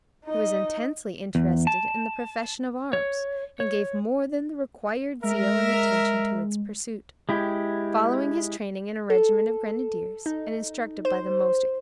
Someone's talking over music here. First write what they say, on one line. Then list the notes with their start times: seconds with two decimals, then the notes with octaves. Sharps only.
He was intensely interested in the profession of arms and gave more than the required zeal and attention to its pursuit, following his training in a regiment of Grenadiers, and instructed by the most experienced officers.
0.25 D#4 D#5
1.35 E2
1.67 A5
2.93 C#5
3.60 C#5
5.24 G#3 A#4 E5
7.29 G#3 E4 G4
9.10 A4
10.26 D#4
11.05 C5